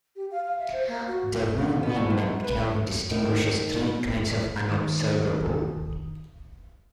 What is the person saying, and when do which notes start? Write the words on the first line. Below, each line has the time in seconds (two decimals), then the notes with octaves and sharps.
W. V. Metcalf distinguishes three kinds of unobservables.
0.16 G4
0.31 F5
0.44 F5
0.59 E5
0.73 C5
0.88 A#3
1.07 F#4
1.83 B3
1.96 A2
2.10 F#2
2.44 B4
3.11 D#3
4.69 D#3 D#6